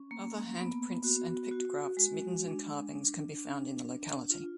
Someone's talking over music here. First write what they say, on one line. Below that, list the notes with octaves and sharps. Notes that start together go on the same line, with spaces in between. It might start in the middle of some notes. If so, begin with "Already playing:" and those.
Other hand prints, and pictographs, middens and carvings can be found in the locality.
Already playing: C#4
A#3
B3
F#4
F#4
G#3
D4
D4
D4
D4
F4